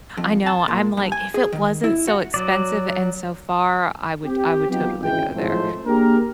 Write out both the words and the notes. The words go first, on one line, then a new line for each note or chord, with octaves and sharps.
I know, I'm like, "If it wasn't so expensive and so far, I would I would totally go there."
F2
A5
A#2
G2
G#5
G#4
D#3
E4
F#4
F#3 D5
C4 G4
F#3 B3 D#4 F4 G4
G#1 C#2 E3 G#3 G5
G#1 A2 F3 G#3 A3 C5
A#3 D4 G4 G#4 A#4